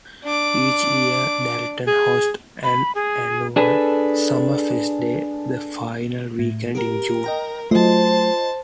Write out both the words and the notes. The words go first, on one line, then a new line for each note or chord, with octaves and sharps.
Each year, Dalton hosts an annual "Summerfest Day" the final weekend in June.
D4 D6
G#4
B5
G#4
D4 G#4 A4 B4
A2
G4 A#4
D#5 G5 A#5
F#3 A3 F4 C5 D#5 A5